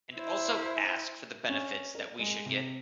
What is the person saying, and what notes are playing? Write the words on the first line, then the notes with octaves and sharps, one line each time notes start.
And also ask for the benefits that we should get.
E4 C5
C#4
A#4
G#3
C3